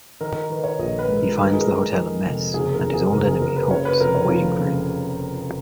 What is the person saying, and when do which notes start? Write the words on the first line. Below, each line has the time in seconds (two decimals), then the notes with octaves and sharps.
He finds the hotel a mess and his old enemy, Holtz, waiting for him.
0.21 D#3 A#4
0.35 A#4
0.50 D#3 B4
0.64 C#5
0.79 A#1 D#5
0.99 B4
1.08 G#2
1.17 A#4
1.37 D#3 B4
1.45 A#4
1.53 G#4
1.61 A#4
1.66 D#3
1.95 D#3
2.25 F1
2.54 F#1 G#4
2.74 A#4
2.83 F#1
2.93 G#4
3.12 F#1 A#4
3.27 G#4
3.42 F#1 A#4
3.56 B4
3.71 C#3 C#5
3.85 B4
4.00 F1 A#4
4.15 C#5
4.29 F3
4.59 C#3